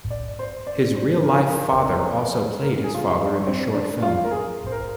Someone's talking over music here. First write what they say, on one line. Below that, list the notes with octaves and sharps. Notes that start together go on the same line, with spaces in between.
His real-life father also played his father in the short film.
D5
C5
D5
C5
A#4
A#4
A#4
G#4
F4
G4
D4
C4
D4
F4
A#4
G#4
C5
A#4